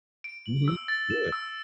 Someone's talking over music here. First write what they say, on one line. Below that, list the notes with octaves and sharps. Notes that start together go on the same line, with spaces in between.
Mhm. Yeah.
D7
F#7
E6
A6
E7
E6